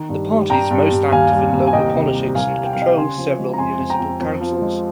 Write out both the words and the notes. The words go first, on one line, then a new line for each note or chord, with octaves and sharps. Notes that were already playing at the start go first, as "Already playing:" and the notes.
The party is most active in local politics and controls several municipal councils.
Already playing: D#3
G2
G3
G2 G5 A#5
G2
G2
D#2 F5 G#5
G3
D#2
G#5
C2 D#5 G5
C3
G3
C2 F5 G#5
G3
G5
F5
C2
D#5 G5
C#3 G#5 C6
F3
G#3
A#5
F2 G#5 C6
F2
G5 A#5
F2
F2
F3
G#3